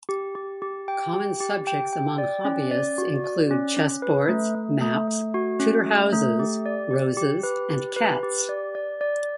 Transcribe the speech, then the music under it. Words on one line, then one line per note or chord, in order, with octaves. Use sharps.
Common subjects among hobbyists include chessboards, maps, Tudor houses, roses and cats.
G4
G4
G4
G5
G4
G4
G5
G5
D5
C#4
D5
F#4
D5
C#4
C#4
B4
A3
A3
A3
A3
F#4
C#4
A3
A3
G4
D5
G4
G4
B4
G4
B4
G4
D5
D5
D5